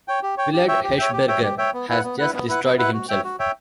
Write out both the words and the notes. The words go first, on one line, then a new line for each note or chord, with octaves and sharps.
Willard Hershberger has just destroyed himself.
C#5 G5
G4
C#5 G5
G4
C#5 E5 G5
G4
C#5 E5 G5
G4
C#5 E5 G5
G4
C#5 E5 G5
B3
E4 B4 F#5
B3
E4 B4 F#5
B3
E4 B4 F#5
B3
E4 B4 F#5
F#4
C#5 E5 G5
F#4
C#5 E5 G5